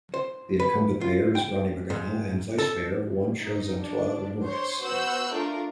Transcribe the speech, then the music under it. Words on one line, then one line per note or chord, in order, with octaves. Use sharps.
The incumbent mayor is Ronnie Magana and vice mayor Juancho Zantua Ramores.
C5
B4
F4
G5
G#2
A4
D#4
D4
C5 C#5 C6
B3 F#4 C5 E6 F#6 G6
A3 D4 F4 A#4